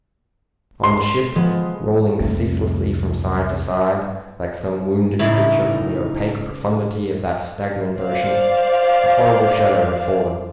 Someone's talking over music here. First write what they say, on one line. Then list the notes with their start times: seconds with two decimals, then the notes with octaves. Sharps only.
On the ship--rolling ceaselessly from side to side, like some wounded creature, on the opaque profundity of that stagnant ocean--a horrible shadow had fallen.
0.84 C6
1.35 F3 G#3 B3
2.21 C2 F2 A3
5.19 A2 C#3 D#4 E4
7.97 C5 D5 F5